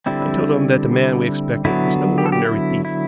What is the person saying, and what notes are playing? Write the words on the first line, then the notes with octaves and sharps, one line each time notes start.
I told him that the man we expected was no ordinary thief.
D3 G3 C4 E4
D3 F#3 B3 E4
G4
A4
G4
E4
E4